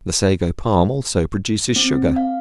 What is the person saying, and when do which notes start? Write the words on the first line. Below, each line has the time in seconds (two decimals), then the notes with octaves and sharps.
The Sago Palm also produces sugar.
1.76 C4
2.16 F5